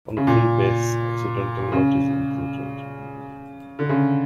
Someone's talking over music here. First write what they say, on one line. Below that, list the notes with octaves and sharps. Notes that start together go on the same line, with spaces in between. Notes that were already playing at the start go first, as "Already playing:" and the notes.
One free bass accidental note is included.
C#3
A#2
C#3
D3
C#3